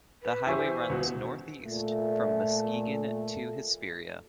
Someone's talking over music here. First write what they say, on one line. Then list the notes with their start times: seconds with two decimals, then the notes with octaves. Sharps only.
The highway runs northeast from Muskegon to Hesperia.
0.23 B4
0.47 E3 G4 C5 E5 G#5 C#6
0.90 C#2 B2 F#4
1.65 A#2 A3